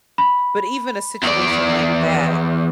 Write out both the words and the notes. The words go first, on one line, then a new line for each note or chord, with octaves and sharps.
but even a situation like that,
B5
E2 D5